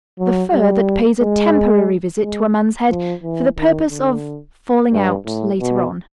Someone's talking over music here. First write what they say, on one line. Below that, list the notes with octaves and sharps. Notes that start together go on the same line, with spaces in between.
The fur that pays a temporary visit to a man's head for the purpose of falling out later on.
F#3
G3
G#3
G#3
F3
E3
D#3
D3
G2
A2
B2